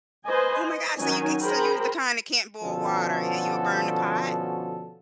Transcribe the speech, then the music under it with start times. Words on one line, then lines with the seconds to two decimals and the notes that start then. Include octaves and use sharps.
Oh my god, so you can so you're the kind that can't boil water, eh you'll burn the pot?
0.25 B4 C5 D#5 G#5
0.66 D#5
0.99 D#3 F#3 C#4 D#4 G#5
1.42 G#4 A#4 C5 G5 A#5 B5
2.63 B2 D3 F3 C#4 F#4 A4